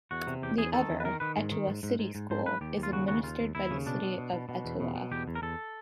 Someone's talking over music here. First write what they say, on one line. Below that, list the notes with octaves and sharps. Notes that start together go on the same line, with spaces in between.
The other, Etowah City School, is administered by the city of Etowah.
E2 F#4
C3
E2 G4
E2 G#4
D#3 A4
E2
B4
D#3 A#4
D#3 B4
G#2
D#3
G#2
G#2
G#2
G#2
G#2 C5
G#2 B4
D#2 G4
D#2
F4
C#3 F#4
D#2 F#4
D#2 F4
D#2
D#2 E4
C#3
B2 D4
B2
B2
B2
B2
E2
B2
B2
E2 G4
E2
A#4
E2 A4